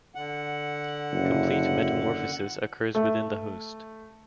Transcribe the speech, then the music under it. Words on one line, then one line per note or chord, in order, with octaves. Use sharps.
Complete metamorphosis occurs within the host.
D3 F#5
F#1
A3